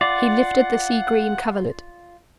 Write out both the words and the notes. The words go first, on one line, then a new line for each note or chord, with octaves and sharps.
He lifted the sea-green coverlet.
F4 D5 F#5